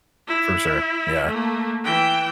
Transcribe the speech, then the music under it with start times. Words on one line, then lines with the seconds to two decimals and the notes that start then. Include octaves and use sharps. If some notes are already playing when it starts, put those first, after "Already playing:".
For sure. Yeah.
0.28 E4
1.26 A3 A#3
1.84 E3 G5